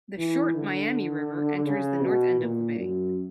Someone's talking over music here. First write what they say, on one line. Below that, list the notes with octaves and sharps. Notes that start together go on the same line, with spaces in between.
The short Miami River enters the north end of the bay.
E3
D3
C#3
B2
A#2
F#2